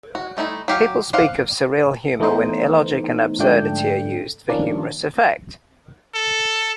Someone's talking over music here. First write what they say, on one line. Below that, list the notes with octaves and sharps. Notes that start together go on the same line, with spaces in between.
People speak of surreal humour when illogic and absurdity are used for humorous effect.
F#4
G3 A3 D#4 E4
F#3 G4 F5
C5 D5 F5 F#5
E3 A3 B3 D#4 C5
G#2 D3 F3 A3 D4 G5
D#3 F3 A#3 C#4 D4
A4